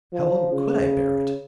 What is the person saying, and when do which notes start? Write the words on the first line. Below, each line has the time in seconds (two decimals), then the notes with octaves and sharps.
How long could I bear it?
0.13 F3
0.52 C#3